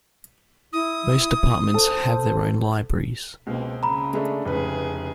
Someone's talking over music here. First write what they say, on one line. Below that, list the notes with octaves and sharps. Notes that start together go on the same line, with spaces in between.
Most departments have their own libraries.
E4 D#6
A4 C5
C#2 B2 A#3 C4
C#3 A#5 B5
G#3 A3 D4
F1 C#3 E4 G#4 B4